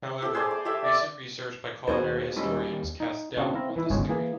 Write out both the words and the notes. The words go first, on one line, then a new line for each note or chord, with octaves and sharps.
However, recent research by culinary historians casts doubt on this theory.
G4 A4
G#4 C5 D5
D6
G4 A4 E5
D5
D#2 B3 C4 F#4 G#4 A#4 C5
G3 G#3 C#4 E4
D#4
C#3 C4 D4 F#4
C4 E4 F5 A#5
E3 E4
G1 C#2 G#2 G#3 G#4 C#5
E3 A#3 G#4